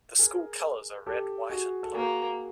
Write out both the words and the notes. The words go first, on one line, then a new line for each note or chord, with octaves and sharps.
The school colors are red, white, and blue.
G#4 A#4
G4 A4
F#4 G#4
A4
A#3 F#4 G#4